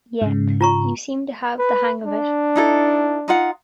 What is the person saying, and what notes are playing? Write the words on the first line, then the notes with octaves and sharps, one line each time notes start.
Yep, you seem to have the hang of it.
G#2 C#3
F4 A#5 C#6
B4
D4
D#4 E4 A4
D#4 F4 F#5